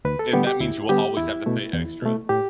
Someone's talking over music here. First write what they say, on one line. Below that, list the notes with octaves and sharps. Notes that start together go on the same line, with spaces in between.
and that means you will always have to pay extra.
D2 B4
A4
D3 G3 B3 G4
G4
D2 E4
D3 G3 B3 G4
E2 E4
B2 A3
E2
B2 A3
A2 G4